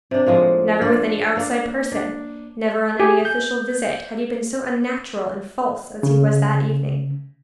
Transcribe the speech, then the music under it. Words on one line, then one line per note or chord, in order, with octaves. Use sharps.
Never with any outside person, never on any official visit had he been so unnatural and false as he was that evening.
C3 D4
A2 F3 G#3 A#3
D4 F4 A4
A#3 D4
D4
G4 G#4 G#5
G6
C#3